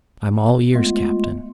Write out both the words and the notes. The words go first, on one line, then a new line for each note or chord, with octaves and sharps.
"I'm all ears, captain."
G#3 A3 B3 F4